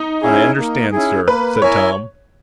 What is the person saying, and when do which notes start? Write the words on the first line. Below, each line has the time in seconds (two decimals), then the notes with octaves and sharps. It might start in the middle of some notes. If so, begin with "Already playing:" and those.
"I understand, sir," said Tom.
Already playing: D#4
0.23 C#4 E4 G#4
0.58 A#3
0.92 C#4 E4 G#4
1.28 A#3 B4
1.62 E4 A#4 C#5 E5 G#5